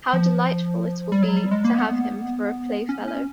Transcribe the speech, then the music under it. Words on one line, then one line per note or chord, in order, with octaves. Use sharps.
How delightful it will be to have him for a playfellow!
F3
G3
F#3
G3
G#3
A#3
B3
C#4
C#4